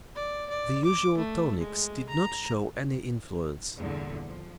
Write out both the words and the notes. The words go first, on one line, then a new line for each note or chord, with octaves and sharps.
The usual tonics did not show any influence.
D5
D5
D6
A3
G#3
A#5
E2 G2 A#2 D3
F3